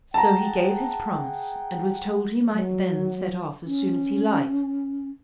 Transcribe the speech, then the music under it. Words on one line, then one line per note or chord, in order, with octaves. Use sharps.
So he gave his promise, and was told he might then set off as soon as he liked.
G#4 F#5 G5 A5 A#5
F#3
C#4